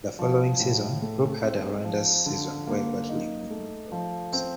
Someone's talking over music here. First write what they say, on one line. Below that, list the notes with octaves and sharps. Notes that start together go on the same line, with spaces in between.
The following season, Rupe had a horrendous season while battling with knee problems.
F3
A2
A3
C4
F3
D3
A#3
D#4
A3
F3
C4